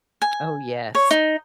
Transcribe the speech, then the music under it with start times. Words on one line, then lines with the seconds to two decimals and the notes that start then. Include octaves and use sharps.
Oh, yes.
0.22 G#5
0.95 C#5
1.11 D#4